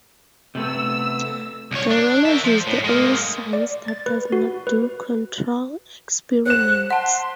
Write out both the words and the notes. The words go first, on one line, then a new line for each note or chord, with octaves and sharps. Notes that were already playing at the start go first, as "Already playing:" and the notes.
Virology is the only "science" that does not do control experiments.
C3 A3 B3 E6
C2 C#5
D4
A#4 E5
F3
A2
G#3 A#3
D5
A6
B4
F#4
B4
C5 F#6 E7
F#5 A5 C6